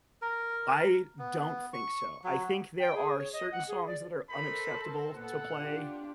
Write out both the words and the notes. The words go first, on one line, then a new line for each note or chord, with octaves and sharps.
I don't think so. I think there are certain songs that are unacceptable to play,
A#4
B3
C#6
F#3
G5
G#4
C#5
D#5
F#5
G#4
D5
D#4 A4 A#4 C5 B5
A#2 B3 A4 F#5
D4 F4 G4